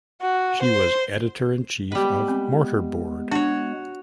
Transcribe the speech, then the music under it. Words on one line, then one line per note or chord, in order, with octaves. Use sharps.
She was editor-in-chief of "Mortarboard".
F#4
C5
G3 G#3 B3 B4
C4
D4 F#4 C#5